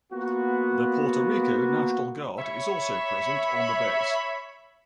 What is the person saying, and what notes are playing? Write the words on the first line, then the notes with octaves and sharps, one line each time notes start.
The Puerto Rico National Guard is also present on the base.
A#3 B3 F4 F#4
C#5 E5 B5